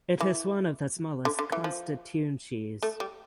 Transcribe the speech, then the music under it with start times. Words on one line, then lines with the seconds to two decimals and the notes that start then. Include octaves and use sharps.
It is one of the smallest constituencies.
0.21 E3
1.25 D3
1.39 D3
1.52 E3
1.64 F3
2.82 A3
3.00 G3